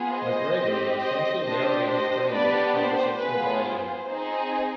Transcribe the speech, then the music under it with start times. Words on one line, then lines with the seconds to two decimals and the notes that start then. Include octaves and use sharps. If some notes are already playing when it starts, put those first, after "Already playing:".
McGregor would essentially narrate his dreams at conversational volume.
Already playing: B3 F4 G#4
0.12 C5 D#5
0.57 C4 G4
1.00 C5 D#5
1.44 D4 G4 C5 D#5
1.89 C5 D#5
2.33 B3 D4 G4 B4 D5
2.78 C5
3.22 B3 F4 G#4 B4
3.66 C5
4.10 C4 D#4 G#4